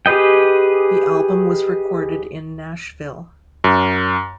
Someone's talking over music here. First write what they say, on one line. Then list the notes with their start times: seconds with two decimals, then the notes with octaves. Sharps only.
The album was recorded in Nashville.
0.06 G4 G#4 B4 D#5 G5
3.64 F#2